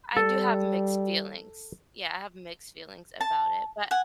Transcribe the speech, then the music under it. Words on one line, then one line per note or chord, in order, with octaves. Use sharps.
I do have mixed feelings. Yeah, I have mixed feelings about it, but
G3 A4
A5
F#5 G#5